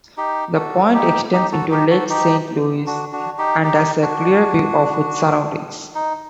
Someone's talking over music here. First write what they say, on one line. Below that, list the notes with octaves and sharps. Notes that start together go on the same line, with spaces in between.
The point extends into Lake Saint-Louis and has a clear view of its surroundings.
D#4 G4
F#4 A4
D#4 G4
D#4 G4
F#4 A4
D#4 G4
F#4 A4
D#4 G4
D4 F#4
D4 F#4
D#4 G4
D#4 G4
D4 F#4
D#4